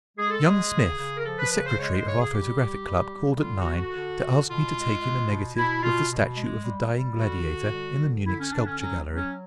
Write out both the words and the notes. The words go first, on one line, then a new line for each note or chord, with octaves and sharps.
Young Smith, the Secretary of our Photographic Club, called at nine to ask me to take him a negative of the statue of the dying Gladiator in the Munich Sculpture Gallery.
G#3 G#4
A4
G#3 G#4
C#3
C#3
A#4
F3 A4
B4
C#3 B4
C5
G#3 C#5
C5
C#3 C#5
G#4
G3 G4
G3
G3
G3
D3 F4
F#4
D3
F#4
D3
D3
B2 F4
G#3
G#3
B2
B2 E4
B2 F4
B2
G#3
G3
G3
D3 F#4
D3
G3
D3
D3 E4
C#4
D3 D4
C#4
F#3 C#4
F#3
C#4